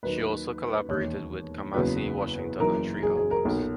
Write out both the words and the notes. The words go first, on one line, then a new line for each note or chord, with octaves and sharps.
She also collaborated with Kamasi Washington on three albums.
D#2 D#3 F#3 A#3 B4
E1 D#2 D#3 C#5
F#1 E2 C#3 F#3 B4
F#1 F#2 E3 A#4
G#4
G#4
A#4
B1 A#2 A#3